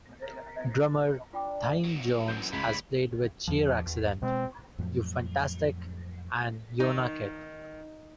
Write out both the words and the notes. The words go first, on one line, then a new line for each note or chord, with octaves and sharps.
Drummer Thymme Jones has played with Cheer-Accident, You Fantastic!, and Yona-Kit.
A#4
D4 F4 G5 D6
A#2 F#3
F#2 E3 G6
C#2 A2 G#3 D4 B5
E2 F3
E2
B2 G#3 C4
F2 A2 F3 F#3
D#3 D#4